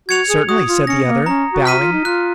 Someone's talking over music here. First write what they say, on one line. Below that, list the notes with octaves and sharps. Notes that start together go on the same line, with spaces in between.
"Certainly," said the other, bowing.
F#4 G#6 C#7 F7
G#4
F#4 D#6
F4
C#4 A#6 C#7
A#3
C#4 A#5
F#4
F#4 F6 B6 D#7
F4
D#4
F4 F#6